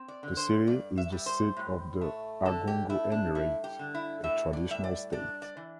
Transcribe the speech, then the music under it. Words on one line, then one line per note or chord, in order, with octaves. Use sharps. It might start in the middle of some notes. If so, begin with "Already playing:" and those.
The city is the seat of the Argungu Emirate, a traditional state.
Already playing: C4
D5
D3
C5
G2 D5
E5
G3
C5
A2
A3
D3 A4
G4
A3 E4
D4
G2 E4
G4
D3
E4
A2 E5
D5
G3 E5
D5
D4 D5
D5
E3